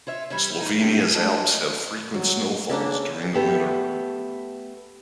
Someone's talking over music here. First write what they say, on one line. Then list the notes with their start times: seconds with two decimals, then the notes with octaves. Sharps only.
Slovenia's Alps have frequent snowfalls during the winter.
0.07 F4 C#5 E5
0.30 E3 G3 A#4 C#5 E5
0.60 D#4 A#4
0.79 C4 D4 G4
0.99 G#4
1.15 G#2 G3 D4 F#4 D#5 A5
2.14 F#3
2.70 C#3 A#3 D4 A4
3.34 A3 B3 G4 A4